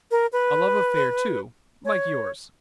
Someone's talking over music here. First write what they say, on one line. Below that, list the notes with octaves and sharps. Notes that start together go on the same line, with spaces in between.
A love affair too--like yours.
A#4
B4
C#5